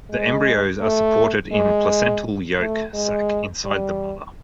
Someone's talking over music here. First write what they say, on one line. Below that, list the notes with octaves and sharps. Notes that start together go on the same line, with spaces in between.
The embryos are supported in placental yolk sac inside the mother.
G#3
A3
G#3
A3
G#3
G3